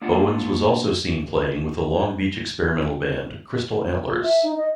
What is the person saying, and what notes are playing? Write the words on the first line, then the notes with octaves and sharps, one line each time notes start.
Owens was also seen playing with the Long Beach experimental band Crystal Antlers.
A#3 D4 F4 F#5
F4
E5
D#4
D#5